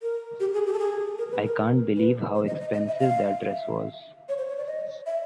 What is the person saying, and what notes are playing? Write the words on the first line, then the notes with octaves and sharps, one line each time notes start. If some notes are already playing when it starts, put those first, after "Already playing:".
I can't believe how expensive that dress was.
A#4
G4
G#4
G4
A4
G#4
A#4
B4
A#4
B4
C5
D#5
D#5
D#5
E5
F5
E5
C#5
C5
C#5
D5
D#5
E5